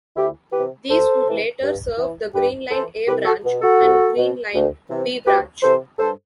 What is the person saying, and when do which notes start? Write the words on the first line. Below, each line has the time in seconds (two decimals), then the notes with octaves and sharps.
These would later serve the Green Line "A" Branch and Green Line "B" Branch.
0.16 D2 E4 G4
0.52 C3 E3 G4 B4
0.89 D2 A4 C5
1.26 C3 E3
1.62 G2
1.98 E3
2.34 G2 G4 B4
2.71 E3 A4 C5
3.07 C2 G4 B4
3.25 F#4 A4
3.44 B2
3.62 F#4 A4
3.80 C2
4.17 B2
4.53 D2
4.89 C3 E3
5.26 D2 G4 B4
5.62 C3 E3 A4 C5
5.98 G2 A4 C5